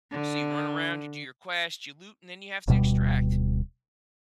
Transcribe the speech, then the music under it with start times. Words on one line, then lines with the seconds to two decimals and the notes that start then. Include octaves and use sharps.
so you run around, you do your quest, you loot, and then you have to extract,
0.11 D3
2.68 D1 B2 G3